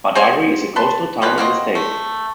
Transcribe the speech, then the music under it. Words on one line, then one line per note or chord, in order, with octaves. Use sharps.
Badagry is a coastal town in the state.
C4 G#4 C5 G#5
B4 A5 C6
E3 F3 G#3 B4
A#3 C4 F#4 D#5
A3